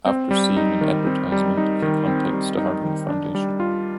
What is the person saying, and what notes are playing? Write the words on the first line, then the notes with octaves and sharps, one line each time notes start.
After seeing an advertisement he contacts the Harbinger Foundation.
C4
G3
D#4
D#3
C4
G3
D#4
D#3
C4
G3
D#4
D#3
D4
G3
F4